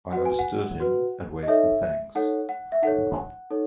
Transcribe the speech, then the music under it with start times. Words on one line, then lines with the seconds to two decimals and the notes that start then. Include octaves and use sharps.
I understood him and waved in thanks.
0.13 F#4 B4 F#5
0.25 G#5
0.39 F#5
0.80 F#4 B4
1.43 D#5
1.47 D#4 A4 C#5 E5
2.15 D#4 A4 C#5 F#5
2.49 F#5
2.72 E5
2.82 D#4 A4 C#5 F#5
3.51 D#4 A4 C#5